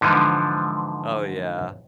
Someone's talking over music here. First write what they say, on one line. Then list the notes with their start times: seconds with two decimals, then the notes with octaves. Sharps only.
Oh, yeah.
0.01 G#2 D3 E3 F3